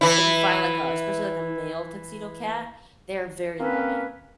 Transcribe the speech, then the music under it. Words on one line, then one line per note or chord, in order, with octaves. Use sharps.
If you find, like, a especially like a male tuxedo cat, they're very loving
E3 E4
A#3 C4 C#4 B4